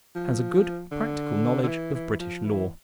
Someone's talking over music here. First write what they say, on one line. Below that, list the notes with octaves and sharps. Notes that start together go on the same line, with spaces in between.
Has a good practical knowledge of British law.
F3
D3
D3
E3
E3
F3
E3